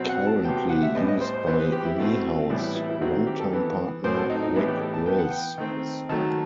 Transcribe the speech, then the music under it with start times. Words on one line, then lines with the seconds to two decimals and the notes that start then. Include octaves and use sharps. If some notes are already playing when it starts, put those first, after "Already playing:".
Currently used by Niehaus' longtime partner Rick Rizzs.
Already playing: B2 F#3 C4
0.09 F#5
0.27 A5
0.44 C3 F#3 B3 G5
0.57 G5
0.70 F#5
0.83 E5
0.95 A2 G3 B3 D#5
1.08 D#5
1.21 C5
1.34 C5
1.46 E3 B3 C5
1.60 B4
1.72 G4
1.85 E4
1.98 B2 A3 C4
2.50 A2 E3 G3 B3 E4
2.75 E4
2.89 E4
3.01 D#3 F#3 C4 F#4
3.27 G4
3.40 A4
3.53 E3 B3
4.04 A2 F#3 C4 C5
4.17 A4
4.30 D#4
4.43 D#4
4.55 A2 E3 B3 E4
4.68 G4
4.81 A4
4.94 A5
5.06 E3 B3 G5
5.18 F#5
5.31 G5
5.58 D#3 A3 C4
6.09 D#3 F#3 A3 A5